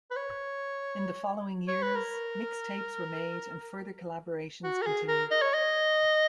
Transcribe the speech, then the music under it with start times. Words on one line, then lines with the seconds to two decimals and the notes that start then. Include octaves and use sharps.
In the following years, mixtapes were made and further collaborations continued.
0.11 B4
0.16 C#5
1.68 C#5
1.82 B4
1.95 A#4
4.64 F#4
4.82 A#4
4.86 G#4
5.08 A#4
5.31 D#5
5.42 C#5
5.54 D#5